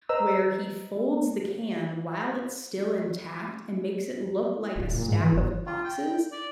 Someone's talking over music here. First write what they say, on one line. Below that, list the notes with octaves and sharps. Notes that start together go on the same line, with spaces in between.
where he folds the can while it's still intact and makes it look like a stack of boxes,
B4 C5 D#5 A#5 E6
D1
A#2
G#2
E3
G1
F4
G5
D5